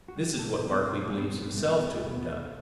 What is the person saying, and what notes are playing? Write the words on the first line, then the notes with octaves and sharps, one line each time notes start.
This is what Berkeley believes himself to have done.
F#4
G3
G4
B2 A4
G4
G3
B3
B2 C4
A3
G3
B3
B2 C4
B3
G3 A3
B3
A3 B3
A3
B2
B3
A3